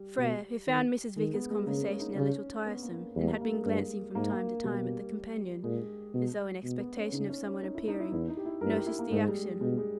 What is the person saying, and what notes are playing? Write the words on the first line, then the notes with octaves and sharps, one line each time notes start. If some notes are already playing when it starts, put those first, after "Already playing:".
Frere, who found Mrs. Vickers's conversation a little tiresome, and had been glancing from time to time at the companion, as though in expectation of someone appearing, noticed the action.
Already playing: G3
B2
D#3
D#3 G#3
B3
G#3
C#3 A#3
C#4
D#4
C#3 C#4
B3
A#3
E2 G3
A#3
A#3
G#3
G2
G#2 A#3
A#3
B2 G3
A#2 G#3
B2
B2
B3
C#4
C#3 D#4
C#4
C#4
D#4
E4
D#4
E4
E2 E4
D#4
G4
E4
G2 A#4
E4
G4
E4
A#3
G#2 G#3
G3
G#3
B2 G#3
G#3